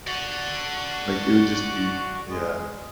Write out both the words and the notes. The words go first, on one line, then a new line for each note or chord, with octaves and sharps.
like, it would just be Yeah.
F#4 D5 F#5
G#3